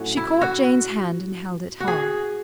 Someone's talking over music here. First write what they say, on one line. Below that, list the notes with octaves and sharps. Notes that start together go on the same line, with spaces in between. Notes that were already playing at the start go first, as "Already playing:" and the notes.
She caught Jane's hand and held it hard.
Already playing: A2 F#3 C#4 F#4
E4
F#4
F#4
G#4